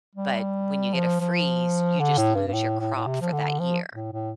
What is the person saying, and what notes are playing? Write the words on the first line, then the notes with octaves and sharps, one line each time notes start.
But when you get a freeze, you just lose your crop for that year.
G3
F3
F3
D3
A2
G2
G2
A2
A2
A2
C3
F3
D3
F3
A2
A2